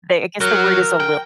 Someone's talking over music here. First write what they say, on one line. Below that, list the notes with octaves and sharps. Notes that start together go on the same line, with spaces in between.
They I guess the word is a lilt.
F#3 A#4
G5